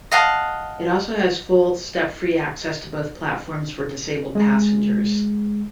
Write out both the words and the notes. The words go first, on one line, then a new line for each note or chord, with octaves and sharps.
It also has full step-free access to both platforms for disabled passengers.
D#5 F5 F#5 A5
G#3